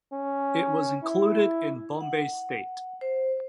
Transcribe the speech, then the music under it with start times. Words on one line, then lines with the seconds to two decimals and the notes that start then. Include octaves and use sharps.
It was included in Bombay state.
0.13 C#4
1.04 E4
2.00 F#5
3.01 C5